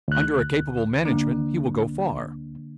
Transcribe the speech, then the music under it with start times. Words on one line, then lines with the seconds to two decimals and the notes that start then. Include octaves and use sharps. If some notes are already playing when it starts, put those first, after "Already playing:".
Under a capable management he will go far.
0.08 D2 F#6
1.05 D3 A#3 D4